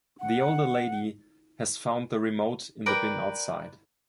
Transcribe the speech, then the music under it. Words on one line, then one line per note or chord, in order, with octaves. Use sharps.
The older lady has found the remote in the bin outside.
F#5
A#4 B4 D5 G5